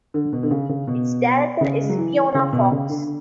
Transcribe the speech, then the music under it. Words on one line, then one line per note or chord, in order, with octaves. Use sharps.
Its director is Fiona Fox.
D3
B2
D3
C#3
C#3
B2
C#3
G#3
F#3
E3
C#3
B2
C#3
D3